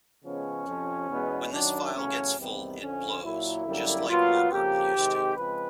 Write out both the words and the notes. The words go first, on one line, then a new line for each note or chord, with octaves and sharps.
When this file gets full, it blows, just like Warburton used to.
C#3 F3 G#3 B3 C#4
F2 C3 F3
E2 B2 G#3 B3
F#2 D#3 F#3 D4
E2 C#3 F#3 A3 C#4
E2 C3 D#3 G3 B3 C4
F2 D3 F3 C#4
A#2 F#3 A#3 E4
F#2 D3 G3 A#3
A#2 F#3 B3 F4
F2 C#3 F3 A#3 G4
C3 D#3 G#3 C4
C#3 F3 G#3 C4 B4